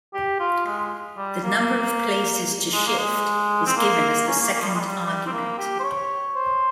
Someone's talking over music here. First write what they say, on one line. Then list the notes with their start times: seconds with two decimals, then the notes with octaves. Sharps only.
The number of places to shift is given as the second argument.
0.14 G4
0.40 F4
0.66 G#3
1.17 G3
1.43 A#3
2.73 G#3
2.87 A#3
2.99 G#3
3.66 C4
3.76 A#3
4.28 C#4
4.40 A#3
4.54 A#3
4.62 F3
4.67 G3
4.75 G#3
4.80 G3
5.06 G3
5.26 C4
5.32 A#3
5.58 G4
5.79 C5
5.83 C#5
6.35 C5